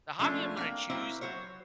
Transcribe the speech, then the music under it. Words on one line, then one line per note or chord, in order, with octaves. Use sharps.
the hobby I'm gonna choose
F3 G#3 A3 C#4 D4
A#3 C4 G5
A#3 C4 E4 F#4 C5
F#3 F#4 C5 C#5